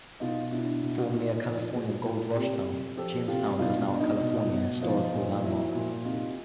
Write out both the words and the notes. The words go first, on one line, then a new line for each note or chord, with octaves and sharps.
Formerly a California Gold Rush town, Jamestown is now a California Historical Landmark.
B2 D#4 F4
B2 D4 E4
B2
A#2 D#4
F3 D#4
A#2 F#4 G#4
A#2
C3 G4 A4
C3
F3 G4 A4
C3 F4 G4
B2 D#4 F4
D4
B2
D#4
B2
B2
F3 D#4 F4
A#2
F3 E4 F#4
A#2
C3 D#4 F4